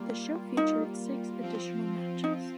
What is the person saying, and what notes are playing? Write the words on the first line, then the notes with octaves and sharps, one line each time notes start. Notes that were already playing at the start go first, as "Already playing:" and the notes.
The show featured six additional matches.
Already playing: G3 A#3 F4
D#4
F3 C4 F4
D#4